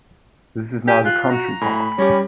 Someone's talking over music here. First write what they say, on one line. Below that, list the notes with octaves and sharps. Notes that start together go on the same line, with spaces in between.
This is now the Country Park.
G4 G#5
F4 F#6
F#4 A#5
A2 G#5 B5
G3 C#4 G4